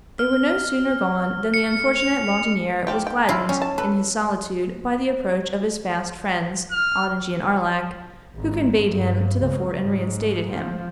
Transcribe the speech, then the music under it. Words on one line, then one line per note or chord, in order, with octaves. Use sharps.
They were no sooner gone than the unfortunate Laudonniere was gladdened in his solitude by the approach of his fast friends Ottigny and Arlac, who conveyed him to the fort and reinstated him.
F6
C#7
F7
F3 G4 G5
G5
E4 F4
G3 C#4
A5
A4 B4
F6
G#1
G2
C#2
G#2
F3